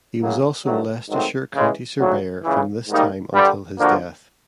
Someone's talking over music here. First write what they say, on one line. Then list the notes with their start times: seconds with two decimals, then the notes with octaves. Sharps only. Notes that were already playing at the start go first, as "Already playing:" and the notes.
He was also Leicestershire County Surveyor from this time until his death.
0.20 F#2 C#3 F#3 A#3
0.65 G2 D#3 F#3 A3
1.10 G#2 D#3 F#3 A3 C4
1.54 C#3 E3 G#3 C#4
1.99 D2 C#3 F#3
2.44 C#2 C#3 E3
2.89 G#2 D#3 G3 A#3 D#4
3.33 G2 D3 G3
3.79 D3 F3 A#3 D4 F#4